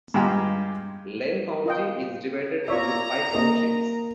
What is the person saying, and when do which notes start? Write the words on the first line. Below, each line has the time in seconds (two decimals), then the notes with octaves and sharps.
Lane County is divided into five townships.
0.14 G2 G#3 F4 G4 G5 A#5
1.66 F4 D#5 G5
2.68 F4 C#5 D5 E5 A#5
3.35 A#3 D#4 D#5